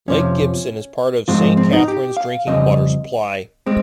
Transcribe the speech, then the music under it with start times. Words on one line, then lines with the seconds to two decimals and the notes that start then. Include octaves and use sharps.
Lake Gibson is part of Saint Catharines' drinking water supply.
0.08 F2 C3 F3 C#4
1.28 G#2 F3 G#3 C4 F4
1.57 C4
1.73 D#4
1.88 G4
2.17 F5
2.47 F2 C#3 G3 C4 D#5
3.66 G#3 C4